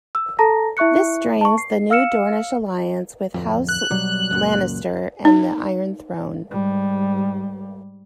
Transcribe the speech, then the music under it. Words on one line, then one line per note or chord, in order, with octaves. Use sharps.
This strains the new Dornish alliance with House Lannister and the Iron Throne.
E6
A4 A5 A#5 A#6
E4 E5 C#6 F#6 C#7
A5 C#6
C7
F5 E6 F6 C#7 E7
D1 F2
F#6
B2 F#3 G3
C#2 F#2 A#2
D#4
G#2 G3